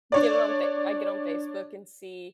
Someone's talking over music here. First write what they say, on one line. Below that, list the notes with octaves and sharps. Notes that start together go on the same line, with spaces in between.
Get it on Fa I get on Facebook and see,
D4 C#5 D5